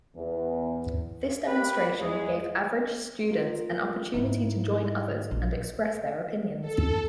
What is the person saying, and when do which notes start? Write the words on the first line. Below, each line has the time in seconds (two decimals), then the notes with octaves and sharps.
This demonstration gave average students an opportunity to join others and express their opinions.
0.16 E2
1.48 A#3 G4 B4 B5
2.00 E2 G#3 G#4
3.32 F4 A#4
4.14 G#2 G#3 D#4 E4
5.31 A#1
6.61 A4